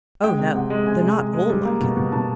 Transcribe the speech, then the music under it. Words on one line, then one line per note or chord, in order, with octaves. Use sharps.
"Oh no; they're not all like him."
G#3 G5
C3
C3 F#5
G#3
C3 G#5
C3
G#3
G#3
G3
A#3
B2
B2
B2 A5